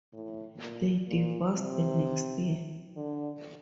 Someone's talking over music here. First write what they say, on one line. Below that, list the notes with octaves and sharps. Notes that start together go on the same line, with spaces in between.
They divorced the next year.
A2
A#2
A#2
C3
D3